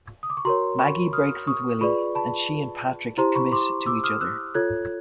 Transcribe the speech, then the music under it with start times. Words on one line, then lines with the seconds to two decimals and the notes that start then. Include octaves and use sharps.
Maggie breaks with Willie, and she and Patrick commit to each other.
0.23 D#6
0.30 D6
0.37 C#6
0.45 F#4 A#4 C#5 A#5 C6
0.79 B5 C#6
1.13 D#6 F6
1.47 C#6 D#6
1.81 F4 G#4 B4 D5 B5 C#6
2.15 A5 B5
3.18 E4 G4 C5 A#5 C6
3.35 B5 C#6
3.52 C6 D6
3.86 D6 E6
4.04 D#6 F6
4.21 E6 F#6
4.55 F4 A4 C#5 F#6 G#6